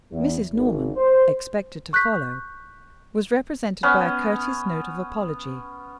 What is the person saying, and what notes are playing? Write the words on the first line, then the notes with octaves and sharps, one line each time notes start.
Mrs. Norman, expected to follow, was represented by a courteous note of apology.
E2
G#1
C5
C#6 F#6 G6 B6
B3 C#4